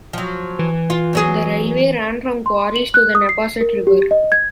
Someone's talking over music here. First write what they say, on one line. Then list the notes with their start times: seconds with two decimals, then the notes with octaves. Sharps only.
The railway ran from quarries to the Neponset River.
0.13 F3 F#3
0.59 E3
0.90 F4
1.13 E2 F#3 G#4
2.46 C6
2.76 F#7
2.94 F#6
3.15 D#6
3.29 C7
3.61 A#4
3.87 G4
4.11 D#5
4.32 G#6